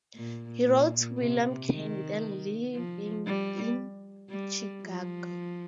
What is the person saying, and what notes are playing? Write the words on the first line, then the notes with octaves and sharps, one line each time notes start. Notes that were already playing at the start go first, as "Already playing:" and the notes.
He wrote to William Chaney, then living in Chicago.
A#2
A#2
C3
D#3
F3
G3
G3
F3